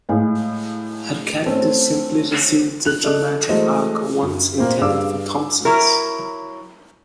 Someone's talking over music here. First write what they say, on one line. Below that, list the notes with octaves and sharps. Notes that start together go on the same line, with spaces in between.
Her character simply resumed the dramatic arc once intended for Thompson's.
A2 G#3 F5 G#5
A3 C4 C#4
F#6 F7
A4 D5 D#5
E3 F#3 G#3 A3 C5 D#5
F#2
A#2 A#3 C4
G2 G#4 D5 F5 D6 E6
F#3 E4 A#4